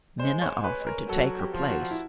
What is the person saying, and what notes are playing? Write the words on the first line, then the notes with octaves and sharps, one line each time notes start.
Minna offered to take her place.
G#3 C5
C#5
B4
A#4
F#3 A4
G4
F3
F#4
E4